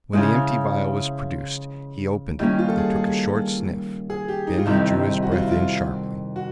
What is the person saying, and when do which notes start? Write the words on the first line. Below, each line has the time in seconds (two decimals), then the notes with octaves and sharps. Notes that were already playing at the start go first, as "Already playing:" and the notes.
When the empty vial was produced he opened it and took a short sniff. Then he drew his breath in sharply.
0.13 C#3 F3 G#3 E4
2.39 D#3 G3 A#3 C#4 E4
2.59 F4
2.69 A4
2.77 G#4
2.96 G#4
4.10 G#4
4.28 G4
4.47 D#4
4.58 F4
4.66 F2 C3 D#3 G3 E4
5.23 F#4
5.31 F4
5.42 E4
5.51 F4
6.36 F#4